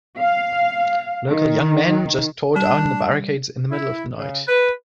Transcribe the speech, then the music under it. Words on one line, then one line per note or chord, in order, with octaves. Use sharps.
Local young men just tore down the barricades in the middle of the night.
F5
D#3
G3 D4
E4
C#3
B4